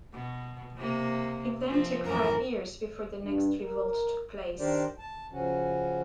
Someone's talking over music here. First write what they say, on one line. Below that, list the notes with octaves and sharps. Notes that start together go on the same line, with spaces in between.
It then took five years before the next revolt took place.
B2
C3 A#3
F3 C4
F#2 A2 E3 A#4
G2
A#4
D#3 D4 G4 A#4 C5 D5
A5
C#3 F3 C#4 F#4